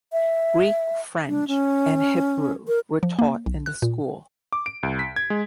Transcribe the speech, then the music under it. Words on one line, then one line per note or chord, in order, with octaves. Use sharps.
Greek, French and Hebrew were taught in the school.
E5
D4
C#4
A#4
F3
A#3
B1
F#6
A#2
D6
D7
C2
B6
G#6
G#3